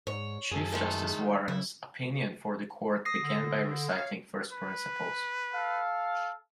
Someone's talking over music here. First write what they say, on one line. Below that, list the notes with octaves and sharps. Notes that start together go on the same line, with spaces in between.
Chief Justice Warren's opinion for the Court began by reciting first principles.
G#2 C#5
F#2 G#4 A4
D#3 G#3 A3
C#3 F#3 E4
D#6 A#6 C7
D3
C#5 F5
B4
A4 F5